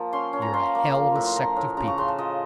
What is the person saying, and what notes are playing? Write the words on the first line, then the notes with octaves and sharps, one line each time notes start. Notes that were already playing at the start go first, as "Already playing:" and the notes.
You're a hell of a sect of people.
Already playing: F3 A#3
C#4 C6
C#4
A#5
F4 C6
A#3
F3
A2
C6
F3 A#5
A2
C#3 A#5
C#6
C#3 C6
A5
F3 D#5